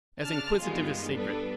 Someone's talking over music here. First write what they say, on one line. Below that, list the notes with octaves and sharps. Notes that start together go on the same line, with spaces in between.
As inquisitive as secret.'
C#3 D4 A5 F6
G2 D#3 G3 G#3 B3 F4
G3 B3 D4 A4 B4